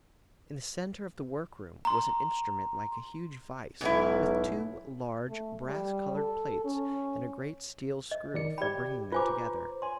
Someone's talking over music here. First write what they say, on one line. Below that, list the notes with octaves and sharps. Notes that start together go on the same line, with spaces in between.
In the centre of the workroom was an instrument like a huge vice, with two large brass-coloured plates, and a great steel screw for bringing them together.
A#5 C6
B1 G#2 E4
A3
G3
A4
C#4
D#5
D#3 D5 C#7
G4 D5 G5 B5
F4 B4 C5 G#5 A#5 D6
C#5 G#5 C6